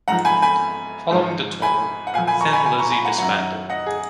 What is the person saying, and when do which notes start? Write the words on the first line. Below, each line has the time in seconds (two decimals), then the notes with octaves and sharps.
Following the tour, Thin Lizzy disbanded.
0.08 G#2 F#5 A#5
0.12 F3
0.25 G#5 B5
0.42 G#5 B5
1.11 G#2 F3
1.62 G#5 B5
2.07 F#5
2.14 A#2 F5 G#5
2.18 F3
2.27 G#5 B5
2.41 A#5 C#6
2.53 G#5 B5
2.66 G#5 B5
2.78 A#5 C#6
2.92 G#5 B5
3.05 F#5 A#5
3.18 F#2 D#3 F#3 F#5 A#5
3.70 D#5 F#5
3.86 G#4